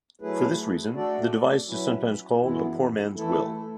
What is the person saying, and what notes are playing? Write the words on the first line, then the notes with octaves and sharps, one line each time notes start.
For this reason, the device is sometimes called a "poor man's will".
F#3 A3 E4 G#4 B4
A3 D4 F#4 A4 D5
F#3 C#4 E4 B4
F#2 E3 G#3 B3 E4
E3 A3 E4 A4